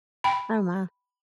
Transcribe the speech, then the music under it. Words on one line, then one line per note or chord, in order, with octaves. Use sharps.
Oh, my.
G5 B5